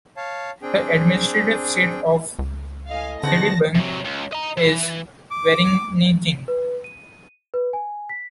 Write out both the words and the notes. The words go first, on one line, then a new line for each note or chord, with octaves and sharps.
The administrative seat of Sedibeng is Vereeniging.
C#5 F5 A5
C4 D4 G#4 G5
C#2
A2 D#5 F5 G#5
E2 D3 C4 D#4 F#5 A5 A#6
C3 F#3
C#2
D#5 A#5
E3
D6
B4
D#7
B4
G#5
B6